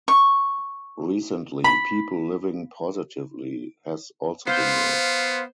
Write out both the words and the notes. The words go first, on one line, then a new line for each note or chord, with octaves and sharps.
Recently, "People Living Positively" has also been used.
C#6
B5
B3 C5 F5